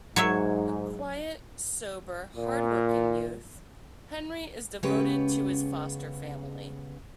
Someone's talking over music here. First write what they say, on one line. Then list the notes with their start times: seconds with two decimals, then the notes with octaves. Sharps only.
A quiet, sober, hard-working youth, Henry is devoted to his foster family.
0.16 G#2 F#3 C#5 E5
2.35 A#2
4.83 C#3 G#3 B3 C#4 G4 B4